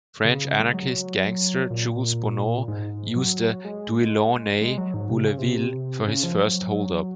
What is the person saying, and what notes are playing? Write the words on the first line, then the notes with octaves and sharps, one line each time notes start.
French anarchist gangster Jules Bonnot used a Delaunay-Belleville for his first hold-up.
C#3
G#3
F#3
A#2
A#2
A#2
G#2
F#3
G#3
G#3
F#3
G#2
C3
C#3
C3
C#3
F3
F#3